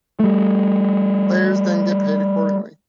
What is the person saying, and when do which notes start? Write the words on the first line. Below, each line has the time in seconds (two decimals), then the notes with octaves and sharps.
Players then get paid accordingly.
0.20 G3 A3